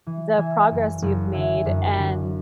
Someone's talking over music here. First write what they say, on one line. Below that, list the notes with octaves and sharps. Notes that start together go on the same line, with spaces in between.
the progress you've made and
E3
E3 E5 G#5
F#1
F#1
D3 E5 G#5
F#2
D3